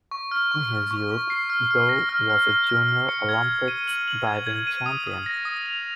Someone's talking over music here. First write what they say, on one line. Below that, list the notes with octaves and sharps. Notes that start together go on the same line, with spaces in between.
In his youth, Dow was a Junior Olympics diving champion.
C#6
F6
C#6
F6
C#6
C#6
C7
F6
F6
A#6
F6
F6
F6
F6
F6
C#7
G#6
G#6
D#7
F#7
F#7
G#6
G#6
D#7
D#6
D#6
A#6
D#6
F7